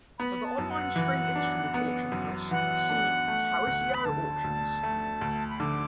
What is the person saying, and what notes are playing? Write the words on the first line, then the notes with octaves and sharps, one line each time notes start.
For the online string instrument auction house, see Tarisio Auctions.
B3 B5
A5
F#2
F#5
E3
D4
B3
F#2
E3 F#5
D4
A3
D2
B5
D3 A5
D2
A3
D2
B5
D3 D6